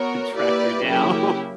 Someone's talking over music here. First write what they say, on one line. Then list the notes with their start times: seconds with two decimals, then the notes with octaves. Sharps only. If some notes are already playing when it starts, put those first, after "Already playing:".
tracked her down
Already playing: B3 F#4 A#4 C#5
0.33 A#3 E4 G4 B4 D5
0.84 C#3 F#3 A#3 E4 G4